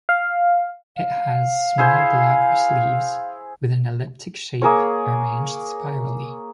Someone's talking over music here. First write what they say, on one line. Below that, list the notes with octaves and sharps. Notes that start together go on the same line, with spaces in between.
It has small glabrous leaves with an elliptic shape, arranged spirally.
F5
F5
E4 G#4 C5
A#3 G#4 A#4 C#5